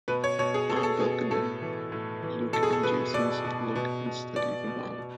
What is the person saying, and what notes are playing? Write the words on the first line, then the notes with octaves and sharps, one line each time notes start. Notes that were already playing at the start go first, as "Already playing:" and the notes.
On Belkaden, Luke and Jacen's look and study the Vong.
B2 B4
C#5
B2 C#5
G#4
B2 A4
G#4
A4
B2 G#4
A2 A4
E3
A2
E3
B2 A4
G#4
A4
B2 B4
B2 D5
B2
B2
B2
B2 D5
B2
B2